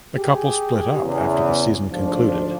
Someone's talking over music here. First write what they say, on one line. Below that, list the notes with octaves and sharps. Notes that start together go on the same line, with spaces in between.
The couple split up after the season concluded.
G4 G#4
E2 C#3
D2 G#2 F3 D4